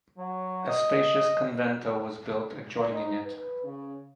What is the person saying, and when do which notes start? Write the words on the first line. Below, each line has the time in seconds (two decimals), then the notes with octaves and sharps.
A spacious convento was built adjoining it.
0.18 F#3
0.69 D#5
2.90 D#4
3.26 B4
3.63 C#3